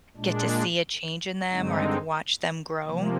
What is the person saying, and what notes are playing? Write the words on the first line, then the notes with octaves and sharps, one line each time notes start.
get to see a change in them or I've watched them grow.
A#2 G#3 D4
G2 D3 G#3 C4 D#4
C3 F3 A#3